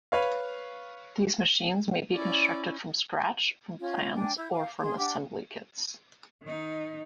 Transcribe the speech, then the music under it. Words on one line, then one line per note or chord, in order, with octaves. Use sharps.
These machines may be constructed "from scratch", from plans, or from assembly kits.
B4 C#5 F5
C#4 E4 D5
C#4 F4
D4 G5 G#5
E4 E6 G6
F5 D6
G#4 C6
D4 G4 F#5 D6
D#3 D#4